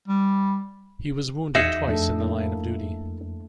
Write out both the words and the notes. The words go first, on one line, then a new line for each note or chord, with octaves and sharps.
He was wounded twice in the line of duty.
G3
E2 D#4 F#4 G#4 E5
F2 A3 D4 A4
A3 A#3 E4